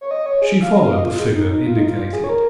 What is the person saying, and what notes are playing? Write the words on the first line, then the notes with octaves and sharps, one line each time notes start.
She followed the figure indicated.
C#5
D#5
C#5
G#4
F5
D#5
F5
D#5
F4
G#4
D#4
D#4
F4
D#4
F4
F4
G#4
C#5
A#4